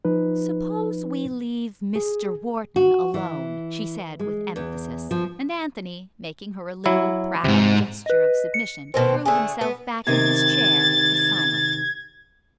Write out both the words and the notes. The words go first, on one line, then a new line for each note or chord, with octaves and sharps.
"Suppose we leave Mr. Wharton alone?" she said with emphasis, and Anthony, making her a little proud gesture of submission, threw himself back in his chair, and was silent.
F3 D#4 B4
G#4
F#4
E3
G#3
E2
F3
F#3 E4
D2 G#2 C3
B4 D#5
C#7
B2 D#3 C4
D3 A3 G#4
B3
C3 D#3 G#6 A6